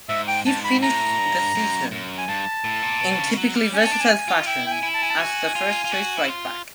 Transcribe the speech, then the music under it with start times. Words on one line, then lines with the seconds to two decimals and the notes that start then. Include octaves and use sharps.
He finished the season, in typically versatile fashion, as the first choice right back.
0.09 G#2 E5
0.28 G5
0.46 G#2 A5
0.64 B5
0.82 A2 A#5
1.18 G2
1.55 F#2
1.91 F#2
2.18 G#5
2.28 G2 A5
2.64 A2
2.82 A#2
3.00 B2
3.19 C#3
3.37 F#3
3.55 G3
3.74 C#4 G#5
3.86 A5
3.92 D4
4.00 G#5
4.28 F4
4.46 E4 G5
4.66 G5
4.71 G#5
4.83 E4
4.94 A5
5.02 G#5
5.10 A5
5.19 F#4 G#5
5.55 F4
5.85 F4
5.92 F#4
6.17 E4
6.28 F4